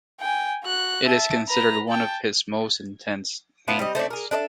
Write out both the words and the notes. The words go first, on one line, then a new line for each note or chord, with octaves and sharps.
It is considered one of his most intense paintings.
G5 G#5
F#4 F#6
E5 A5
B4 A#5
G5 A5
B3 D4 E4 F4
G3 C4 D#5
A3 C4 C#5 D5
G#4 A#4
D4 A4 D5 E5